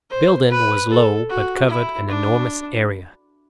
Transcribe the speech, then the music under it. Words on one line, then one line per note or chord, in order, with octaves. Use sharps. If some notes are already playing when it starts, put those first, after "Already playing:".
The building was low, but covered an enormous area.
C5
B4
A4
F#4
E4
D4